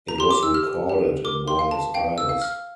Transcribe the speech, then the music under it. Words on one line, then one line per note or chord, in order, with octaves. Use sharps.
It was recorded in Buenos Aires.
A#5
G4 C6
D6
E6
G4 F6
G4
A#4 D6
C6
F5
A5
F5 G5
E6
F5
F6